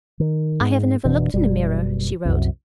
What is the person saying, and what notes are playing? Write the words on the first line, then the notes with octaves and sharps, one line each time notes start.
"I have never looked in a mirror," she wrote.
D#3
G#2
F1 B2 E3 D4
F#1 B2 G3
C2 F#2